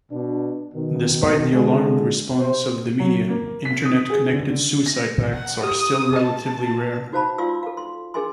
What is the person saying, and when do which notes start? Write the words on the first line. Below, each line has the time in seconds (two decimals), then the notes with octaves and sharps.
Despite the alarmed response of the media, Internet-connected suicide pacts are still relatively rare.
0.12 B2 D4
0.75 B2 D#3
1.53 D3 G#3
2.40 C3 C5
3.00 F#3
3.29 A#3
3.65 B6
3.85 D#6
4.10 G#4
4.33 D3
4.50 D3
4.86 A#6
5.34 F#5
5.63 G4 D#6
6.16 D#5 A5
7.12 D#4 F#4 C5 F5 A5 B5
7.38 F4 D5 F5 C6 E6
7.63 A4 F5
7.77 C6
8.14 D4 G#4 A#4 D#5 G#5 C6